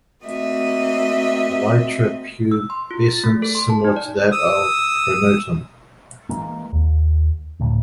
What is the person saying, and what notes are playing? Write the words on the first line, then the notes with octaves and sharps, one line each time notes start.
Elytra pubescence similar to that of pronotum.
A3 A#3 C4 F#4 D#5 E5
E6
C6
F4
A6
A3
A4
C6
A5
D#4
D5
D#6 E6
E3 G#3 A#3
D#2
D2 A2